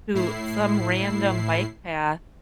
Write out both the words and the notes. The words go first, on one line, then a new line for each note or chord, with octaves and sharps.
to some random bike path,
A2 E4 C7